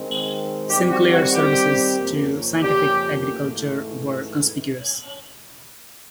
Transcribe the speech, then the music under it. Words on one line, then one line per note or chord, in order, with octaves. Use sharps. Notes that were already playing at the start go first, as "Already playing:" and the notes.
Sinclair's services to scientific agriculture were conspicuous.
Already playing: D#3 G#3 C4
D#3 G3 C4 G4
F#4
F#4
G4
F2 C#3 F3 A#3 C#4
G4
G#2 E3 A3